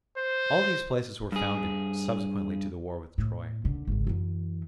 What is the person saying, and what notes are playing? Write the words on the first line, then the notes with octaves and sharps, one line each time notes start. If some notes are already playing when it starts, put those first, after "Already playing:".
All these places were founded subsequently to the war with Troy.
C5
G2 G#4
A2
D#1 D3
G#1 C#2
F#2 E3